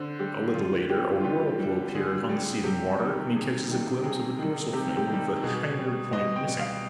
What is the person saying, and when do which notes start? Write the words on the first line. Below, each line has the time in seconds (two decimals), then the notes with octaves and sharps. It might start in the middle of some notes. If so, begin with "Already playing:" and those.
A little later a whirlpool appears on the seething water, and he catches a glimpse of a dorsal fin with the hinder point missing.
Already playing: D3 C5
0.19 G3 G4
0.54 D3 F4
0.90 G3 G4
1.20 F4
1.24 D3 G4
1.59 G3
1.94 D3 G#4
2.29 G3
2.64 C3 G4
2.98 D#3 G3
3.34 C3 G#4
3.68 D#3 G3
4.04 C3 G#4
4.38 D#3 G3
4.73 C3 G4
4.97 G4
5.08 D#3 G3
5.43 B2 G#4
5.78 G3
6.13 B2 D#5
6.36 G5
6.48 G3
6.59 F5